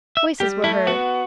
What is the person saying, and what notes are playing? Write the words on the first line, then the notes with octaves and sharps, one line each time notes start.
Voices were heard.
E5
G3 G4
A3 E4
B3 F#4